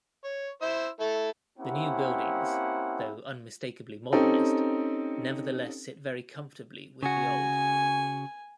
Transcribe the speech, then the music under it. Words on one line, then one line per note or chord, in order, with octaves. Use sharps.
The new buildings, though unmistakably Modernist, nevertheless sit very comfortably with the old.
C#5
E4 C5 E6
A3 E4 A4
A#3 C4 C#4 E4 G4 F#5
C4 C#4 D#4 G4 A4
C#3 F#4 G#5